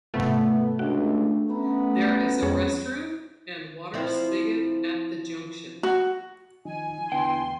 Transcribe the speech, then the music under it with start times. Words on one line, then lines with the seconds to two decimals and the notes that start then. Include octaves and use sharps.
There is a restroom and water spigot at the junction.
0.14 G#2 C3 A3 B3 F4
0.79 C#2 D4 F#4
1.50 B3 C#4 A#5 B5
2.42 F2 G#3 G#4 C#5
3.94 F3 C4 E4
5.83 F#4
6.65 D#3 F3 D#4 G#5
7.12 E2 D3 B3 E4 G5 C6